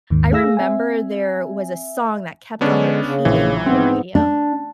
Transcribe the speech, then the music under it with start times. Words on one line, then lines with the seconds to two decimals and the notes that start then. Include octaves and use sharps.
I remember there was a song that kept on repeating on the radio,
0.10 D#2 G#2 D#3
0.32 A3 G#4 F5 E6 A#6
0.57 C4 E5 G#5
2.61 D3 G#3 B3 C#4 D4
3.06 C#3
3.25 A#1 E3
3.66 G#2 B3 C4
4.15 D4